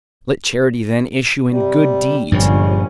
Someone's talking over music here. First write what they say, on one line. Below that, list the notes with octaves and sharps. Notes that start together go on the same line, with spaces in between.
Let charity then issue in good deeds.
C3 G3
G1 G2 A#2 F3 G3 G#3 C#4